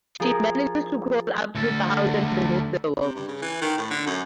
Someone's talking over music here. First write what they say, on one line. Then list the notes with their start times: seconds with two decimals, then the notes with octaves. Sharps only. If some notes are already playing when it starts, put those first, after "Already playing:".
She manages to crawl up to the house and remove the worm.
0.20 F3 G#4 A#4
1.55 D2 A4
3.01 C3
3.15 G2
3.28 C#3
3.42 E3
3.62 D#3
3.78 A2
3.91 D3
4.07 F#2